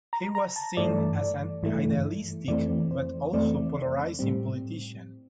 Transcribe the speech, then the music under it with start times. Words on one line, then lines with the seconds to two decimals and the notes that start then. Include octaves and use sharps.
He was seen as an idealistic, but also polarizing politician.
0.13 A#5
0.35 A#5
0.56 A5
0.77 G2 E3 A3 D5
1.63 G2 E3 A3
2.48 F2 E3 A3 C4 D5
2.91 C5
3.33 F2 E3 A3 C4 D5
4.19 A2 G3 C4